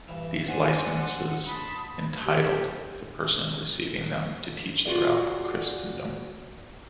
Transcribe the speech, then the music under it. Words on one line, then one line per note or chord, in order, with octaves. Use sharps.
These licences entitled the person receiving them to teach throughout Christendom.
G2 E3
D4 C5 F#5 G#5 C6
A5 B5 C6 D#6
G4
F4 F#4 G#4 D5